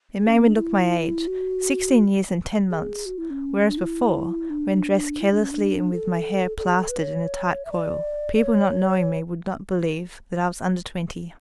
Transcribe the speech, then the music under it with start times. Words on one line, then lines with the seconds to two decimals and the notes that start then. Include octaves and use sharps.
It made me look my age--sixteen years and ten months--whereas before, when dressed carelessly and with my hair plastered in a tight coil, people not knowing me would not believe that I was under twenty.
0.20 G#4
0.28 C#4
0.38 B3
0.47 D4
0.55 E4
1.27 F#4
2.70 G#4
3.06 F#4
3.18 E4
3.30 C#4
3.69 D4
3.78 E4
4.50 D4
5.21 E4
5.31 D4
5.41 C#4
5.52 D4
5.93 A4
6.58 A4
6.64 G#4
6.76 A4
6.89 B4
7.00 C#5
7.65 E5
7.72 D5
8.35 D5
8.44 C#5